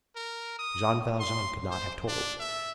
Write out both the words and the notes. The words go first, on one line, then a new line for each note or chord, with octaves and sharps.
Jean Valjean could not have told.
A#4
D#6
C6
C5
D4
E5